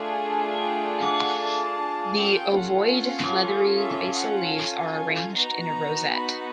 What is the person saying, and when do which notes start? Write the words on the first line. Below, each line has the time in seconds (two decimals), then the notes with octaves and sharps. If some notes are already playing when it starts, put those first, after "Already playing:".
The ovoid, leathery basal leaves are arranged in a rosette.
Already playing: A3 D4 F4 G#4 G#5
0.60 G5
1.00 F#5
1.40 A5
2.19 C#4 F4 A4 G5
2.59 F#5
3.77 E5
4.17 F#5
4.57 G#5
5.35 B3 D#4 F#4 A#5
6.15 B5